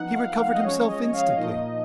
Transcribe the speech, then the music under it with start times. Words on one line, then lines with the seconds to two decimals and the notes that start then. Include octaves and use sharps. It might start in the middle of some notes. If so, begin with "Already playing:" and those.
He recovered himself instantly.
Already playing: F3 B3 D#4 F#5
0.13 F5
0.38 F5
0.53 D#5
0.63 F3 G#3 C#4 C#5
0.87 D#5
1.13 F5
1.36 A#2 F3 A#3 D#4 D#5